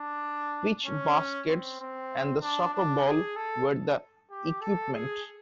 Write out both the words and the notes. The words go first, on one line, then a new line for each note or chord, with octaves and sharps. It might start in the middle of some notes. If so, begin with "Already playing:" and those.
Peach baskets and the soccer ball were the equipment.
Already playing: D4
C#4
C4
C4
D4
D4
G#4
A4
G4
A4
G#4